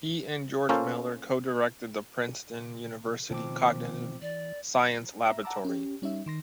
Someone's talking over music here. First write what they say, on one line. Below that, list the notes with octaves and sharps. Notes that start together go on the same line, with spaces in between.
He and George Miller co-directed the Princeton University Cognitive Science Laboratory.
A#3 C#4 F4 A4 C5
B2 D#3 F3 A3 C4 D6
E3 D5
E5 A#5
F#5 A5 A#5 D6 E6
C#4 G4
G3 C#4 D#4 E5
D#3 C6 A#6